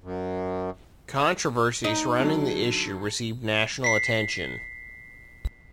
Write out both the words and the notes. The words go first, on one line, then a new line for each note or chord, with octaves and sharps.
Controversy surrounding the issue received national attention.
F#2
D#4
D3 F#3
B6 C7